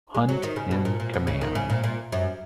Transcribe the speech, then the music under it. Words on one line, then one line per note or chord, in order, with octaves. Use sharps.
Hunt in command.
G#3
F#3
D#3
C#3
B2
A#2
A#2
B2
C#3
D#3
C#3
A#2
A#2
F#2